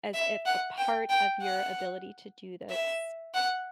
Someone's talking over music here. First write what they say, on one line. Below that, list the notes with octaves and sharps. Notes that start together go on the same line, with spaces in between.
as if a part of your ability to do this
E5
F#5
G5
G5
F#5
E5
F#5